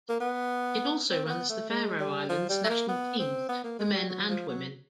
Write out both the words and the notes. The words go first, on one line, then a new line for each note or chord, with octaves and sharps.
It also runs the Faroe Islands national teams for men and women.
A#3
B3
C4
A#3
B3
A3
G#3
G3
F3
G3
A3
A#3
B3
C4
B3
A#3
G#3
G3
F#3
F3
F#3